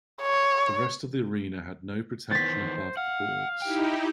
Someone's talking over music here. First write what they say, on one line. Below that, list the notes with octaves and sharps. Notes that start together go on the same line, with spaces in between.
The rest of the arena had no protection above the boards.
C#5
E2 D#3 B3 C5 A6 B6
F5 F#5
D#4 E4 G4 G5